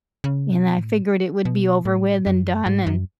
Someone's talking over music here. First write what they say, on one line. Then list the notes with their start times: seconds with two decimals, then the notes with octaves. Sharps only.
and I figured it would be over with and done, and
0.24 C#3
0.51 B2
0.77 A2
1.45 B2
1.85 A2
2.26 F#2
2.66 G#2
2.87 F#2